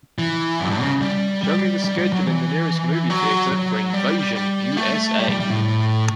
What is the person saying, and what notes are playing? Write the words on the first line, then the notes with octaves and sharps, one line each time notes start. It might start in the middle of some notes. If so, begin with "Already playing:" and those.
Show me the schedule in the nearest movie theatre for Invasion U.S.A..
E3
F#2
G2
C#3
G3
G3
G3
G3
F#3
E3
F#3
F#3
G3
G3
A3
G3
G3
G3
A2